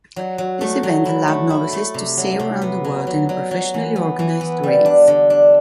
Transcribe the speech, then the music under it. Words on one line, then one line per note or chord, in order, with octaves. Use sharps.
This event allowed novices to sail around the world in a professionally organised race.
F#3
F#3
A3
F#3
E4
A3
E4
A3
C3
F#3
C3
B3
F#3
F#3
F#3
F#3
E3
B3
E3
B3
G3
D4
D3
D4